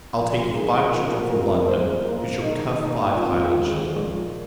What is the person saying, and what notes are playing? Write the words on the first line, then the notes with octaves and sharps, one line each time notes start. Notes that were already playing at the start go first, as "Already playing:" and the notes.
I'll take you five children from London, who shall cuff five Highland children.
A#2 F3 A#3
A#2 F3 G#3 D#4 G#4
A#2 F3 A#3 F4 A#4
F2 C3 G#3 F4 A#4
A#2 G#3 G#4 C5
A#2 F3 A#3 F4 A#4
G#2 D#3 A#3 D#4
A#2 A#3 D#4
G#2 D#3 G#3 C4 F4
D#2 D#3 G#3
A#2 F3 G#3